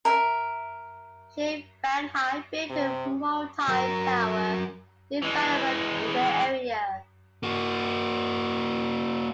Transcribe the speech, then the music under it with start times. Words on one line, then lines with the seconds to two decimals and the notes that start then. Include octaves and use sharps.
Shane Baghai built a multi-tower development in the area.
0.05 A#4 E5
2.70 C3
3.68 F#3 A#4
5.22 E3 G#3
7.43 A#3 F#4